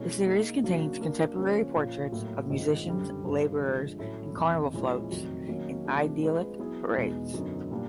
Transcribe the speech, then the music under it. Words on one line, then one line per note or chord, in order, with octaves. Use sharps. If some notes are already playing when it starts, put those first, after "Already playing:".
The series contains contemporary portraits of musicians, laborers, and carnival floats in idyllic parades.
Already playing: B2 G#3 C#4 E4 A4
A#3 D#4 G#4
C#3 F#3 A#3 D4 F#4
A#3 D4 F#4 A#4
C#3 F3 A#3 C#4
A#2 F3 A#3 C#4 F4
A2 F#3 A#3
G2 D#3 G#3 C4 F4
F#2 D3 G3 C4
G2 D3 G3 C4
D3 F3 G#3
A2 F#3 A3 C#4 E4
E2 C3 D#3
A#2 F3 G#3 C#4 E4
F2 C3 D#3 F#3 A3
D#3 F#3 A#3 C#4
C3 F3 A3 D4 G4
G#3 C4 F4 G#4 B4
F#3 B3 E4 G#4
E2 B2 G#3 B3 D#4
F#2 D3 F#3 B3 D#4
A#2 G3 A#3 D4